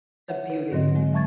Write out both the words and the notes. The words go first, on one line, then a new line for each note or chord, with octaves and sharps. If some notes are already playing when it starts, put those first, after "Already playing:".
the beauty.
C#5 E5 F#5
B4
G#2 D3 F#3 C4 D#5
F#3 G#3
F#3 E5 A5 C#6 G#6 A6